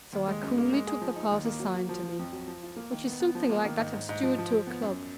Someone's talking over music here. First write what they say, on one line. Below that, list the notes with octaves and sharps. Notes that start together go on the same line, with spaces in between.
So I coolly took the part assigned to me, which is something like that of steward to a club.
D#2
G#3
F#2
A#3
G#3
G#4
F3
D#4
D#2
A#3
F#3
F#3
F3
F3
F2
F#3
F3
F4
A#3
D#3
B3
B3
F3
A#3
D#3
G#2
G#2
G#2
F3
F3
F3
B3
F#2